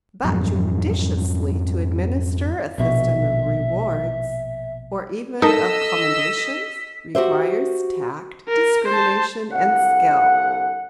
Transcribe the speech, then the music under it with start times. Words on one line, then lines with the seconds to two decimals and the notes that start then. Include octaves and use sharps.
But judiciously to administer a system of rewards, or even of commendations, requires tact, discrimination, and skill.
0.24 F2 G#2 F#3 B3
2.78 A#1 B2 E5
5.42 D#4 A4 A#4 D#5 E6 B6
7.15 F#4 G4 C5 E5
8.48 A#4
8.88 C5 A5
9.51 C2 D3 F5 F#5